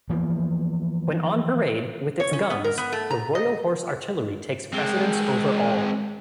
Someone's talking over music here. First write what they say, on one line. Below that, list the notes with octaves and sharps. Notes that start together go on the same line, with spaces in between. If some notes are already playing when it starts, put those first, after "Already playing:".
When on parade with its guns, the Royal Horse Artillery takes precedence over all.
E3 F3 A#3 B3
C#5
C#4
B3
A#4
B3
A3
A#5
D#5
G#3 C4